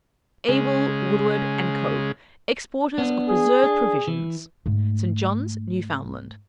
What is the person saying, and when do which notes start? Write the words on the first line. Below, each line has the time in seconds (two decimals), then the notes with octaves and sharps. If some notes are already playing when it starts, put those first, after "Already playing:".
Abel Woodward and Co., exporters of preserved provisions, St John, Newfoundland.
0.48 C#3 G#3
2.98 B3 D4
3.29 G#4
3.64 D4
4.08 E3
4.66 G#2 A3